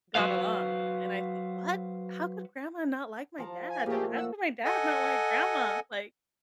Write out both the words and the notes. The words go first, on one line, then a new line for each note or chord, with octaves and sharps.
got along, and I think, "What? How could grandma not like my dad? And how could my dad not like grandma? Like"
F#3 F#4 G#4 B4 C5 F5
F3 A5 A#5
G#5
A#2 A3 A#3 G4 G#4
F#5 E6
A4 D#5 F#5 G#5